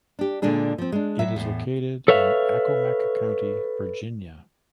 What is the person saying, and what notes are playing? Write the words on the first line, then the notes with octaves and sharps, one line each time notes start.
It is located in Accomack County, Virginia.
D4 G4
A#2 D3 G#3 D4 G#4
F3 C4
G#3 D4
A2 F#3 E5
E2 A2
A4 B4 C#5 E5 F5